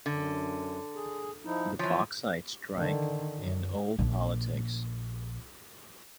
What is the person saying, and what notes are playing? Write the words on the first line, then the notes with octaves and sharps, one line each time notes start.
"The Bauxite Strike and Old Politics".
F#2 D3
G#4
F3 D#4 E4
E3 F3 C#5
D3 D#3
F#2
A#1 A#3